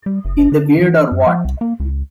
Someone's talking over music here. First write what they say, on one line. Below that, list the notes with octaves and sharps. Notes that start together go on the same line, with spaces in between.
In the Weird or What?
G3
F#1
G1
D3
E3
F#2
F3
C2
A#3
C#2